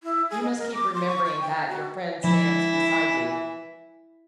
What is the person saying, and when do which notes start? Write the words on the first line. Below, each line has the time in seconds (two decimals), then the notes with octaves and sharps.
You must keep remembering that your friend stands beside you.
0.03 E4
0.31 G#4
0.43 D#5
0.58 A#4
0.74 D6
0.95 C6
1.07 C#6
1.25 C#6
1.41 G5
1.69 F#4
2.24 E3 F3 G#3 E4